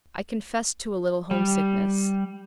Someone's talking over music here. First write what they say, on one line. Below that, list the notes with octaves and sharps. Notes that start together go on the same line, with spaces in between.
I confessed to a little homesickness.
G3